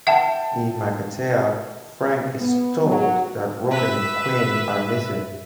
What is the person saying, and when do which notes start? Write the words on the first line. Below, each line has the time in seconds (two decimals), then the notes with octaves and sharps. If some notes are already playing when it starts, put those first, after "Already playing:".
In Makatea, Frank is told that Robin and Quinn are missing.
0.07 E5 F#5 G5 A5 E7
2.38 B3
2.86 F#3
3.71 B4 E5